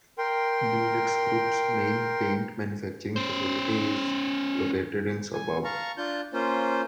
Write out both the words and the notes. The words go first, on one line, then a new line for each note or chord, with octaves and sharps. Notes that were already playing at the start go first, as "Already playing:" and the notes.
DuluxGroup's main paint manufacturing facility is located in the suburb.
A#4 G5 C6
C#4 C5
G#5
F5 A5 A#5 C#6
D4 F4 A5 G6
A#3 C#4 F4 C5